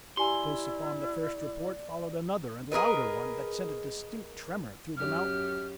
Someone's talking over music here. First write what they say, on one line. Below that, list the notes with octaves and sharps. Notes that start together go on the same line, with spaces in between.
Close upon the first report followed another and louder one, that sent a distinct tremor through the mountain.
E4 G4 D5 G#5 A#5 C6
G#4 A#4 B4 D#5
F#2 G4 F6